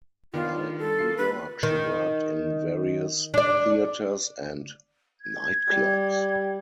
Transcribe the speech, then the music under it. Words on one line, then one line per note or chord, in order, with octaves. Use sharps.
While in New York she worked in various theaters and nightclubs.
D#3 B3 D4 F4
A4
A#3 F4 C7
B4
D#3
D4 D5
G#6
G3